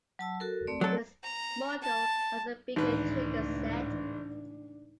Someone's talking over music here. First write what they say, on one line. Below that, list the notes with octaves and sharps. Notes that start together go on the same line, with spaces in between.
This model has a bigger trigger set.
F#3 A5 E6
F#4 A4 A#4
A3 C4 D5
F#3 A4
A#5
A5
G#1 C#2 A2 E3 D4 D#4 B4